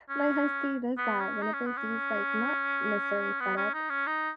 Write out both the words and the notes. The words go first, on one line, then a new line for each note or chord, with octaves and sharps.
my Husky does that whenever he's, like, not necessarily fed up,
C#4
B3
C#4
D#4
C#4
B3
C#4
B3
C#4
D#4
C#4
D#4